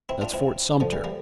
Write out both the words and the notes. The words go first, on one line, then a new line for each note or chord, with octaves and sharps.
That's Fort Sumter.
C4 E4
D4 F4
C4 E4
D3 F3
E3 G3
G3 A#3